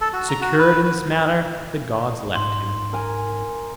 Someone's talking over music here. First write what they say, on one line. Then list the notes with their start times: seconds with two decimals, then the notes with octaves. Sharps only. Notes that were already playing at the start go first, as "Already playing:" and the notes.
Secured in this manner the gods left him.
0.01 A4
0.13 F#4
0.29 A#5
0.41 F#4
0.59 B4
0.84 B4
2.35 G#2 C6
2.93 A#4 G#5